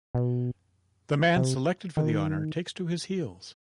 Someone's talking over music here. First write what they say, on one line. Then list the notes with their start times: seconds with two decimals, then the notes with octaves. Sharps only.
The man selected for the honor takes to his heels.
0.15 B2
1.36 C3
1.97 D#3